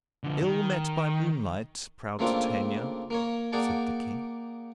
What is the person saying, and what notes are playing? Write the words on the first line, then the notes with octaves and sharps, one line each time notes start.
"Ill met by moonlight, proud Titania," said the King.
D3 F3
D#3
C#3 A3 A#3 C4 D4 F4
A#3 A#4 C#5
A#3 G#4 D5 F#5 G5 A5